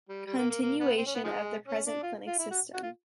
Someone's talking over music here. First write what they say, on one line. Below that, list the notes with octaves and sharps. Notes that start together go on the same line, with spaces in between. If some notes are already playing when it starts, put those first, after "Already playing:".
Continuation of the present clinic system.
G3
G3
A#3
A#3
A#3
B3
C4
C#4
B3
D#3 F3 G#3
C#4
D4
F4
F4
E4
F#4
F#4
F4